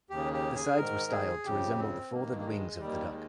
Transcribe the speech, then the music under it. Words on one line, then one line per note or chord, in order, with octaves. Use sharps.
The sides were styled to resemble the folded wings of the duck.
D#2 C#3 G4
G4
G#4
G#2 D#3 A#4
G#4
F2 C#3 G4
C4
G2 D#3 A#3
A#3
G#3
D#2 D#3 G3
G#3